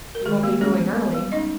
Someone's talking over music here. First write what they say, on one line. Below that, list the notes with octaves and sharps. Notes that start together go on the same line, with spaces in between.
"You won't be going early."
A#4
D#3 G#3 G#4
G3 A#3 G4
G#3 C#4 G#4
B3
B3
G3
C#4 D#4 D#5